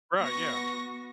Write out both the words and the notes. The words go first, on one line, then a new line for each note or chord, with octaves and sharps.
Right, yeah.
B3 F#4 C#6 A#6